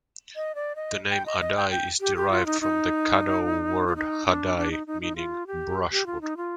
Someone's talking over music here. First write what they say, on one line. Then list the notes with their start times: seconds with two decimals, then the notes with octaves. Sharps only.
The name "Adai" is derived from the Caddo word "hadai" meaning 'brushwood'.
0.36 D#5
0.55 D5
0.76 D#5
1.10 G5
1.26 D#5
1.41 D#5
1.56 G5
1.71 G5
2.01 G4
2.16 G4
2.31 F4
2.46 D#4
2.61 D#4
3.87 F4
3.96 D#4
4.26 D4
4.57 D4
4.71 D#4
4.87 D#4
5.02 D#4
5.16 F4
5.47 G4
5.92 G4
6.06 F4
6.21 D#4
6.37 F4